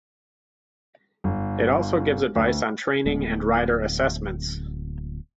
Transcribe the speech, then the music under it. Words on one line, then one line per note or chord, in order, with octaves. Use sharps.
It also gives advice on training and rider assessments.
G1
D2
D1 G#3 A3 B3